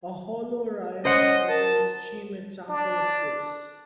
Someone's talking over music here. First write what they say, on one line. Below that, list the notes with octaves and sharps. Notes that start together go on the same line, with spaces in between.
A holorime is an extreme example of this.
C#4 C5 D#5 F#5
A#4 A5
D4